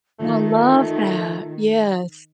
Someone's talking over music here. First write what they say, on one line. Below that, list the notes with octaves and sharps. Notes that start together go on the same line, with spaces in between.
I love that. Yes.
D#3 A3 F4